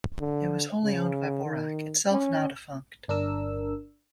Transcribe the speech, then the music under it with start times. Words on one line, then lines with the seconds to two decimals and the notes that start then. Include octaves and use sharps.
It was wholly owned by Bouraq, itself now defunct.
0.20 D3
0.84 C#3
1.46 D#3
2.11 C#4
3.08 G1 D4 A#4 E6